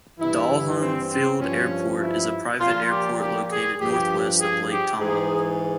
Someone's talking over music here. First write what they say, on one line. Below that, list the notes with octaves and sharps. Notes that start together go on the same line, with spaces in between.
Dolhun Field Airport is a private airport located northwest of Lake Tomahawk.
G2 E3 E4
C4
C4
G2 F3 C#4
E4
A#2 F3 F4
G4
G4
G#4
G2 F3 G4
G#4
G4
G#2 E3 G#4